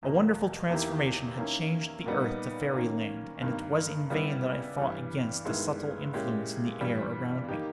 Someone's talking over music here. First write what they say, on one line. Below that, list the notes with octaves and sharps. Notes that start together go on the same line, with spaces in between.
A wonderful transformation had changed the earth to fairy land, and it was in vain that I fought against the subtle influence in the air around me.
E2 B2 A#3
E2 D#3 A#3 E4 G4
D#3 A#3 C#4 E4
A#2 G3 B3 D#4
D#3 A#3 C#4
G2 D#3 A#3
C#3 G3 B3 E4 G4
G2 E3 G3
G2 D#3 G#3 B3 E4
A#2 G#3 C#4 E4 G4
G2 E3 G3
D#3 A#3 D#4 G4